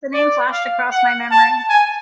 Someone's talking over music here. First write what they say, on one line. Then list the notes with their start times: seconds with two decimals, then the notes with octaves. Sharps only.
The name flashed across my memory.
0.14 D5
0.52 F5
0.91 F#5
1.31 A5
1.69 G#5